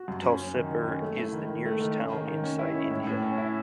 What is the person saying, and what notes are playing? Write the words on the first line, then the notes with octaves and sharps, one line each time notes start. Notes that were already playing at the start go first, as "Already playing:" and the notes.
Tulsipur is the nearest town inside India.
Already playing: F#4
F#2
C#4
C#4
D#3
D#3
C#4
A3
E4
D#3
D#3
A3
D#3
C#4
D#3
D#3
C#4
E4
C#4
A2
A2
C#4
E4